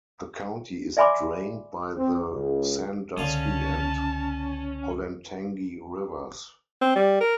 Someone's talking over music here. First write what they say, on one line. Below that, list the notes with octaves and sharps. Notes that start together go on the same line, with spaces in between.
The county is drained by the Sandusky and Olentangy Rivers.
D5 E5 G#5 B5 C6 D6
C4
C#2
C#2 D3 C#4 F5 A5 D#6
C4
G3
A#4